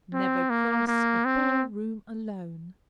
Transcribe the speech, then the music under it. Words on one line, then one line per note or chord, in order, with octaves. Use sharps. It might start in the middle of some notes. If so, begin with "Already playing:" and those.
Never cross a ball room alone.
C4
A#3
A#3
C4